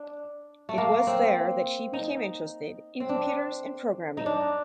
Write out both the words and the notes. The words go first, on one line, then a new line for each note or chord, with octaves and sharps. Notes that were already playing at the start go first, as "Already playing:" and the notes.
It was there that she became interested in computers and programming.
Already playing: D4
A3
A#3
C4
D#4
C4
D4
D#4
D4